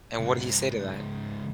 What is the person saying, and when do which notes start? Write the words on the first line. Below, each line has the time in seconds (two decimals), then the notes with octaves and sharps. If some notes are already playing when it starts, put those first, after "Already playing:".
And what did he say to that?
0.20 C#2 G#2